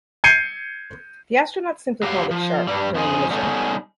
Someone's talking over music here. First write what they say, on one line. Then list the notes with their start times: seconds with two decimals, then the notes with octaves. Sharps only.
The astronauts simply called it "Sharp" during the mission.
0.24 G6 G#6 C7 C#7 D#7
2.03 F#3 G4 F5
2.31 F3
2.67 G2 G3
2.94 F2 F3 G#4
3.31 G3 B3 C#4 D#4 G#4 A4